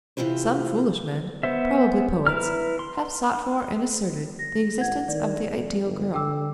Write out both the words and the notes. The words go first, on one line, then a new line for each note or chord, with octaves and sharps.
Some foolish men--probably poets--have sought for and asserted the existence of the ideal girl.
C3 D#3 E3 F4 G4 C5
B3 C5 E5
E4 B4 A#5 F6
C6
A#6
A1 F#5 G#6
D#3 D5
F2
G1
D3 G5 D6 E6